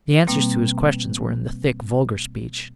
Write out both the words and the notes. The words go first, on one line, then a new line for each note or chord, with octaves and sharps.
The answers to his questions were in the thick, vulgar speech.
B2 G3 A#3 C4